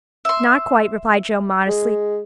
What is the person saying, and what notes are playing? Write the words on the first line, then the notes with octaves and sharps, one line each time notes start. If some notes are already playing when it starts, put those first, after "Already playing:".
"Not quite," replied Jo modestly.
E5 C6
G#3